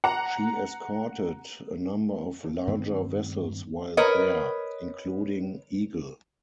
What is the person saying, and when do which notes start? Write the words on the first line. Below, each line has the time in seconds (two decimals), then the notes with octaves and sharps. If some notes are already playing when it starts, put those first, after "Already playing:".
She escorted a number of larger vessels while there, including "Eagle".
0.04 F#5 A#5
2.67 G2 D#3 B3 C4
3.97 A#4 B4 C#5 D#5